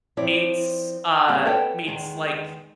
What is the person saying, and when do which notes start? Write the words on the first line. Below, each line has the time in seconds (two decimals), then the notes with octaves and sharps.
meets, uh, meets, like,
0.17 F3 C4 E4 C#5 D5
1.28 G3 A#3 C4 D5 G#5
1.45 A4 B4 C#5 F#5 G5 A5
1.86 E2 G#2 D#3 G#3